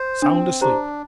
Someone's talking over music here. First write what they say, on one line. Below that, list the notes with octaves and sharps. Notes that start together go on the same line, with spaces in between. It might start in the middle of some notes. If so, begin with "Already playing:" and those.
Sound asleep!
Already playing: C5
C4 D4
D4 G4 C5 A#5